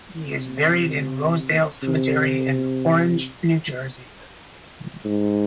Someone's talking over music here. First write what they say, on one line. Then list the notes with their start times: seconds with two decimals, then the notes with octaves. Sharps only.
He is buried in Rosedale Cemetery in Orange, New Jersey.
0.23 C3
1.83 C3
5.05 G#2